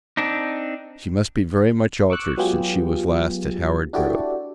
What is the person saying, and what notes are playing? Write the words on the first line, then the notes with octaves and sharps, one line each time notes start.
She must be very much altered since she was last at Howard Grove.
C4 D4 D#4
C#6 D6 E6 F#6
F#3 G#3 B3 F4 G4 G#4
D4 E4 F#4 G4 A4 D5